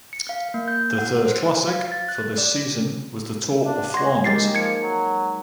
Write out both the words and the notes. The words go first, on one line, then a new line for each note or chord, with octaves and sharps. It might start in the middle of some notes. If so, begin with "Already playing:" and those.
The third classic for this season was the Tour of Flanders.
C#7
F5
A#3
G6
F#5
C5
F5
A6
F#6
D5
D4
F#4 C6 G#6 A#6
G#3 A#3 D#4 G4 A6 A#6 C7
F3 G#6 C#7
F#3